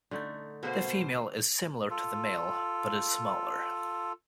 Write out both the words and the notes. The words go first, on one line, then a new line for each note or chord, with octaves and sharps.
The female is similar to the male, but is smaller.
D3 A3 D#4
B2 A#3 C5
F4 A4